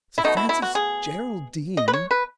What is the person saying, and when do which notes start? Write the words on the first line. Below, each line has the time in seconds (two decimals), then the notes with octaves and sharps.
"Sir Francis Geraldine!"
0.18 E4
0.24 B2 A3 D#4
0.37 E4
0.49 E4
0.62 F#4
0.75 G#4
1.77 D#5
1.88 B4
1.93 C#5
2.11 B4